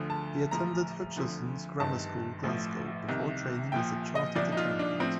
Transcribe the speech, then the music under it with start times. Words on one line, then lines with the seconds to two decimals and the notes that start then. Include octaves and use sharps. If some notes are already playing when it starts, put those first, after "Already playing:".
He attended Hutchesons' Grammar School, Glasgow, before training as a chartered accountant.
Already playing: D2 D3 F3
0.10 A5
0.51 A#1 A2 F3 A#5
1.17 D2 D3 F3
1.80 G1 G2 D#3 A5
2.43 A1 A2 F3
3.08 C2 C3 D#3
3.72 A#1 A#2 F3 G5
4.15 D#5
4.35 C2 A#2 F3 D5
4.52 D#4
4.57 F4
4.79 D4
5.00 A2 F3 C4